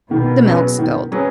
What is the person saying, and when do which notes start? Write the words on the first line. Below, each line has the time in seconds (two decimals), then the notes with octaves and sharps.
the milk spilled.
0.11 B2 D#3
0.45 F#3 C#4 G#4 B4
0.79 D#3
1.12 F#3 C#4 G#4 B4